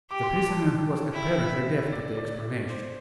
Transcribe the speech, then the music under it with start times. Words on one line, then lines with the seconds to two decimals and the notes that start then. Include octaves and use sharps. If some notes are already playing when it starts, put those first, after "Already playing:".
The prisoner was apparently deaf to the explanation.
0.10 G4 D6
0.23 C6
0.36 D6
0.49 A5
0.62 A5
1.14 E4 G5
1.66 E5
1.92 D5
2.17 D5
2.70 C5